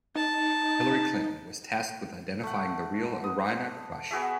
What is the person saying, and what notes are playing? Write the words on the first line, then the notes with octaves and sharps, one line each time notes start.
Hillary Clinton was tasked with identifying the real Irina Krush.
D#4 A5
A3 F#5
D#6
B3 F#4 G#4 E5